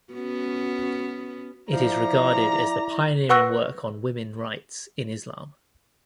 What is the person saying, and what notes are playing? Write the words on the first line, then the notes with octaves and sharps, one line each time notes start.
It is regarded as the pioneering work on women rights in Islam.
B3 C#4 F#4
F3 E4 D5 A#5
B4 F#5 C#6 E6 F#6 A#6